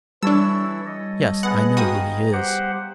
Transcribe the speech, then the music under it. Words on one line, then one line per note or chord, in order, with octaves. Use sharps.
"Yes; I know who he is."
E3 G3 D4 E4 A4 C#5 E6
D#5
B3 G#4 F#5
F#4 F5 G5 A#5 D#6
G4 C5 F#5